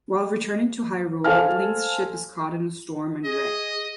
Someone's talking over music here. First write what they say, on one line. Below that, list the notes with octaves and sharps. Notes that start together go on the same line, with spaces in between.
While returning to Hyrule, Link's ship is caught in a storm and wrecked.
A4 C5 F5 G#5 A5 F6
G#4 D#5